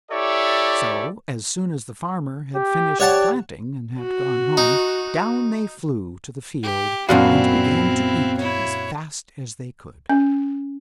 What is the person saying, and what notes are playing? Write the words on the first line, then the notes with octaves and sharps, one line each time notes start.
So, as soon as the Farmer had finished planting and had gone home, down they flew to the field, and began to eat as fast as they could.
E4 G4 A4 C#5 D5 E5
G4
G4 C#5 D5 F#5 A5
F#4
D#4
G4
F#2 A#2 B3 C4 D4 E4 F#4 F5
E4 C#5
C#4